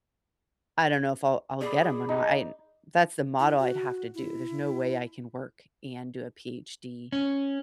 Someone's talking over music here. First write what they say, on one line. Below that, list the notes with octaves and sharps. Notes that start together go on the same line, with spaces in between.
I don't know if I'll I'll get 'em or not. I that's the model I'd have to do. There's no way I can work and do a PhD
G#4 D5 B5
D#4
E4
F#4
E4
C#4